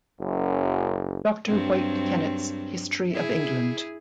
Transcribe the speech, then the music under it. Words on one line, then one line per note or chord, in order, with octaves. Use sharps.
Doctor White Kennett's "History of England".
F#1 F#2
G2 F#3 C4
E4 G#4